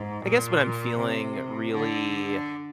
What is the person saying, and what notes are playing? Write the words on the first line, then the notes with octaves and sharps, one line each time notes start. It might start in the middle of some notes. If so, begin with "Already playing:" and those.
I guess when I'm feeling really
Already playing: G#2
A#2
C3
D3